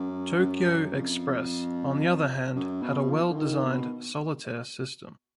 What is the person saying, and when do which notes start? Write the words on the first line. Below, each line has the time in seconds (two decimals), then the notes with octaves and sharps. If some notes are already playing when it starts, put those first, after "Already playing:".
"Tokyo Express", on the other hand, had a well-designed solitaire system.
Already playing: F#2
0.39 F#2
0.92 F2
2.55 F#2
2.82 B2
3.09 F3
3.30 D3
3.36 D#3
3.63 B2